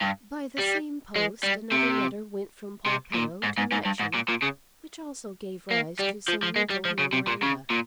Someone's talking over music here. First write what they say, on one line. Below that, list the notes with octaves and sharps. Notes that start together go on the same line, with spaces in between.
By the same post another letter went from Polpenno to Matching which also gave rise to some mental memoranda.
G2
G3
G#3
G3
C3
C3
A#2
G#2
G#2
G#2
G2
G#2
A#2
A#2
C#3
A#3
G3
F3
F3
G#3
G3
F3
C#3
C3
A#2
C#3
A#2